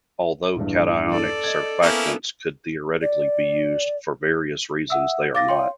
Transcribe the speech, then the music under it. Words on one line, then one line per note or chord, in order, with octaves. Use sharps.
Although cationic surfactants could theoretically be used, for various reasons they are not.
A#1 E2 G2
A4 D5
D#5 G#6
A#3 B3 C#4 E4 A4
D5
E5 F#5 D#6 E6
F5 D6 A6 A#6
C#5 G5 C6